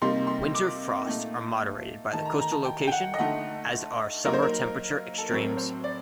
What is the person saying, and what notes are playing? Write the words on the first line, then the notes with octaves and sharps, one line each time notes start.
Winter frosts are moderated by the coastal location, as are summer temperature extremes.
C3 G3 A#3 D#4 C6
C6
D6
A#2 A3 D#4
D#3 A3 D#4 A5
A#5
A#5
A5
G5
G5
F#5
D#5
D3 A3 D#4 F#5
F#3 A#3 D#4 A#4
C5
A#4
A4
A2 F#3 C4 A#4
C5
D5